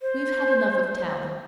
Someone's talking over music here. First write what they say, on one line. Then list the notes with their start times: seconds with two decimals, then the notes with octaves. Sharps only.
We've had enough of town.
0.02 C5